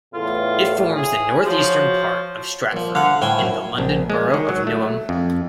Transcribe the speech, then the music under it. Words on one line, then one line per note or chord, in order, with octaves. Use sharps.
It forms the northeastern part of Stratford in the London Borough of Newham.
E2 A2 F4
G#4
F3 F#4 C#5
A#1 F3
D3 F5 F#5
A2 C5 G5 G#5
F#2
A#1
G#3
D#3
F#3
A3
F2